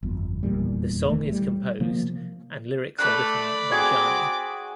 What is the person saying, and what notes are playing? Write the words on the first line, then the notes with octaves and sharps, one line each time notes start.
The song is composed and lyrics are written by Jaani.
G1 F2
F1 E2 A#2 G3
D#1 E3 A3
G3
C3 F3 A#3
A3 D5 B5 F#6
C4 F#4 G#4 D6 G#6